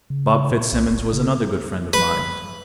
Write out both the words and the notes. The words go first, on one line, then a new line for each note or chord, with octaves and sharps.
Bob Fitzsimmons was another good friend of mine.
C#3
A#2
B1
F#1
C#3
B4